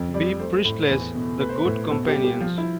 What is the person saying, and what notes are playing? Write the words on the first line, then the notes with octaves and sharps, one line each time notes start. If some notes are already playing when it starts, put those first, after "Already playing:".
B. Priestley's "The Good Companions".
Already playing: F2
G3 D5
A3 C5
A2
E2
B2
A3 B4
C5
B4
A2
B2 A4
G4
G3
G4
F3 F4
E4